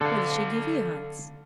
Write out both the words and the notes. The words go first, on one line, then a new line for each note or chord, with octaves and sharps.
'What did she give you, Hans?'
D3 A4 F5